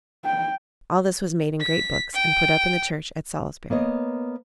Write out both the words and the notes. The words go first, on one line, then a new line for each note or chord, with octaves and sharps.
All this was made in great books, and put up in the church at Salisbury.
G5
B6
G5
A#3 B3 C#5 D#5